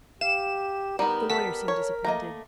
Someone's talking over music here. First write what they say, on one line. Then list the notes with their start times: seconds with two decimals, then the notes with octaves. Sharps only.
The lawyer seemed disappointed.
0.21 G4 F5 E7
0.99 G3 B3 D#4 A#4
1.30 A4 F#5 A5 B6
1.68 C#5
2.05 A3 A#3 D#5 A#5